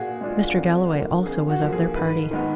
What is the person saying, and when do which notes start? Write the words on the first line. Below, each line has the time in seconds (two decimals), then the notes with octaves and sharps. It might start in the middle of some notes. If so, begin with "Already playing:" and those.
Mr. Galloway also was of their party.
Already playing: A#2 D4 F#4 G#4
0.21 G#3 D4 F4
0.57 F2
0.92 D3 F3 A#3
1.26 F2 G#4
1.50 F#4
1.61 D3 F3 A#3
1.73 G#4
1.95 G#2 B4
2.31 D#3 G#3 B3